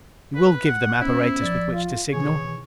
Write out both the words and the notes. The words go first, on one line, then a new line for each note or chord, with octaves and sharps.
"You will give them apparatus with which to signal?"
B4
F#5
B3 C#4 E4 C5
A#1 F3 D5 A6
F4
B2 D#3 E3 G#4 C#5